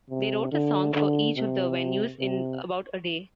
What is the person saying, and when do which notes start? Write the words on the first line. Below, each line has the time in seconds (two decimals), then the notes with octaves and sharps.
They wrote a song for each of the venues in about a day.
0.10 C3
0.52 D3
0.94 D3
1.36 C3
2.20 C3